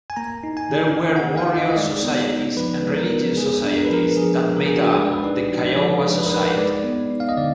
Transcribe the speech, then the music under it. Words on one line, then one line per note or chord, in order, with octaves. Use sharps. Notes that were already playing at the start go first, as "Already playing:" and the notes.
There were warrior societies and religious societies that made up the Kiowa society.
G#5
A#3 A#5
D#4
G#5
D#3
D#3
F#5
A#3
F5
D#4
D#5
D#5
G#3 D5
B3
D#4
F3 B4
G#3
A#4
B3
G#3 G#4
D4
A#4
B4
F3 A#4
F3 G#4
G#3
A#4
G#4
D4
F#4
G#4
G#3 B4
D5
B4
D#4
F3
F3 D5
G#3
B4
A#4
D#4 B4
G#3 D5
B3
D#4
F5
D#5
D3 D5